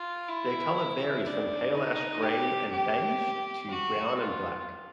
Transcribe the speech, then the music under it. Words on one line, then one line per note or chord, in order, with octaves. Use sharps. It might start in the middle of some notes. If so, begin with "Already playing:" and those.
Their color varies from pale ash gray and beige to brown and black.
Already playing: F4
E4
E4
D4
D#4
G4
G4
F#4
F4